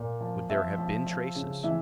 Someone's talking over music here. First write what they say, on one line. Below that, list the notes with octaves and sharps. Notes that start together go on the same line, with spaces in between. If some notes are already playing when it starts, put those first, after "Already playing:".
"Would there have been traces?"
Already playing: A#2
F3
F3 E5
F3
F3
C#3
E3 E5